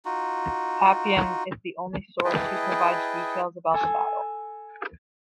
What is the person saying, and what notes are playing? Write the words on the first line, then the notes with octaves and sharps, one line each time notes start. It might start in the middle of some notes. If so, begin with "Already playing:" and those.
Appian is the only source who provides details about the battle.
D#4 F4 F#4
E4 G#4 B4 D#5 G5 A5
A4 G#5